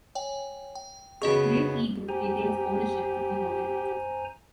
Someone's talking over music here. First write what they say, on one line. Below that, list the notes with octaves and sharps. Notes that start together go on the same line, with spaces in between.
Great Eagle retains ownership of the hotel.
C#5 G5 G#5
G5
C#3 B3 F#4 G#4 D#5 C#6
G4 C5 G#5 A#5